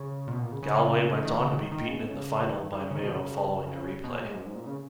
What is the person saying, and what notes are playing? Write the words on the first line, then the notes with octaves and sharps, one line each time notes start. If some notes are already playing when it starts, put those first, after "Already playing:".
Galway went on to be beaten in the final by Mayo following a replay.
Already playing: C#3
A#2
B2
A#2
C#3
C#3
D#3
C#3
D#3
D#3
C#3
B2
C#3
D#3
D#3
C#3
C#3
D#3
B2
C#3
B2
A#2
G#2
F#2
G#2
A#2
C#3